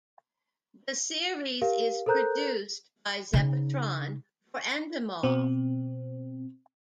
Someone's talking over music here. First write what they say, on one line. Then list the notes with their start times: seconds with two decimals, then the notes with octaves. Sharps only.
The series is produced by Zeppotron for Endemol.
1.61 G4 A#4 F5
2.06 A4 A#4 C5 A#5 F#6 G6
3.33 C#3 D#4
5.23 B2 C4